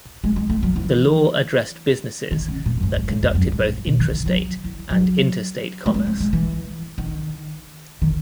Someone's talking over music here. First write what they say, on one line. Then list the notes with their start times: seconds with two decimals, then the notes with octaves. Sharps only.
The law addressed businesses that conducted both intrastate and interstate commerce.
0.24 G#3
0.36 G#3
0.50 A3
0.63 F#3
0.76 E3
2.31 D#3
2.48 C#3
2.66 A2
2.78 F#2
2.83 G#2
2.96 G#2
3.09 G#2
3.22 E2
3.35 F#2
3.52 G#2
3.69 A2
3.87 B2
3.99 D#3
4.13 E3
4.26 F#3
4.64 E3
4.90 F#3
5.86 A3
5.94 G#3
6.07 A3
6.20 G#3
6.33 E3
6.98 D#3
8.02 D#3